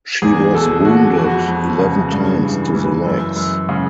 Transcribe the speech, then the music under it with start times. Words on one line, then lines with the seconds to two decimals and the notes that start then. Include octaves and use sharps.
She was wounded eleven times to the legs.
0.22 E2 G#4
0.54 B2 A4
0.85 B2 F#4
1.17 F2 F#4
1.48 F2
1.79 C#3
2.12 G2
2.43 E3
2.74 E3
3.06 F#2
3.36 F#2
3.69 C#3